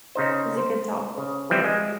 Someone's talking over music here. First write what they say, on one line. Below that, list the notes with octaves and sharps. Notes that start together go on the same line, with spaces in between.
It was a good talk.
C#3 D#4 C5
C5
C#3
E3 F3 G3 C4 E4
G#3